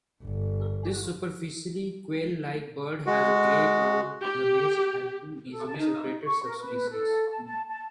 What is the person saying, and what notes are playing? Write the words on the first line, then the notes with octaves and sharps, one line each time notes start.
This superficially quail-like bird has a grey-brown plumage and two easily separated subspecies.
G1
G#3 F#4
G4
A4
A5
D#4
C#6
A#4
B4
A4
A5
A5
A5